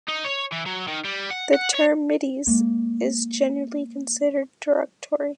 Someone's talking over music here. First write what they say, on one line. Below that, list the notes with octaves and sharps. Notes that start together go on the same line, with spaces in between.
The term "middies" is generally considered derogatory.
D#4
C#5
E3
F#3
D#3
G3
F#5
F#5
C#5
G#3 A#3